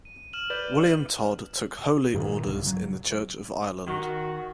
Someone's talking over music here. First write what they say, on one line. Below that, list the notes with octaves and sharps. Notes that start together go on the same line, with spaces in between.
William Todd took holy orders in the Church of Ireland.
D#7
F6 E7 F#7
B4 D5 G6
G2 A#2 D#3
B1 C#3
F#3
D#3 F#4